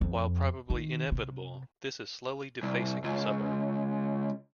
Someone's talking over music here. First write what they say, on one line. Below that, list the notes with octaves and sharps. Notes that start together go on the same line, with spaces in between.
While probably inevitable, this is slowly defacing the suburb.
F2
D#3
C3
C2
C#2